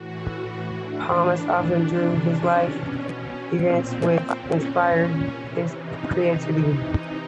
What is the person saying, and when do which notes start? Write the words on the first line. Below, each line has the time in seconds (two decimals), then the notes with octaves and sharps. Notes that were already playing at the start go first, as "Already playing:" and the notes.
Pomus often drew on life events which inspired his creativity.
Already playing: A2 E3 F#4
0.34 F#4
0.79 A2 E3 D4
1.23 D4
1.68 C3 E3
2.13 C#4
2.58 B2
3.48 A#2 C4
3.93 C4
4.38 A#2 C#4
5.29 C3 E3
5.73 D#4